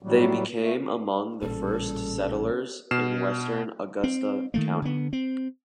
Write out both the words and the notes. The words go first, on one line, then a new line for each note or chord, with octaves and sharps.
They became among the first settlers in western Augusta County.
A2 F#3 G3
A3
A1 A#2 C#3 G3 A4
B2 F6 C7 E7
C4
D#3 A3 A#3
D3 B3
C4